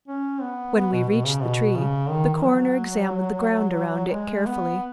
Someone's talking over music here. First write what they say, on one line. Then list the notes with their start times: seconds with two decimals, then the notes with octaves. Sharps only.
When we reached the tree, the coroner examined the ground around it carefully.
0.08 C#4
0.41 B3
0.75 B3
0.92 B2
1.09 B2
1.26 C#3
1.43 B2
1.76 C#3
2.10 D#3
2.34 D#3
2.44 F#3
4.12 G#3
4.46 B3